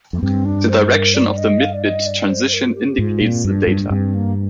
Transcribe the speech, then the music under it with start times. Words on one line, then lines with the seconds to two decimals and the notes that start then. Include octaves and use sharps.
The direction of the mid-bit transition indicates the data.
0.13 F2
0.17 A#3
0.23 G2 C4
0.45 D4
0.69 C5
0.92 A#4
1.14 D5
1.37 D#5
1.61 F5
1.73 D5
1.84 D#5
2.06 D5
2.29 C5
2.47 C5
2.53 A#4
2.65 F4
2.75 G4
2.84 G#4
2.91 G4
2.98 G#2 F4
3.21 A#2 C4
3.45 G2 D4
3.67 G2 D4
3.90 G2 C4
4.14 A#3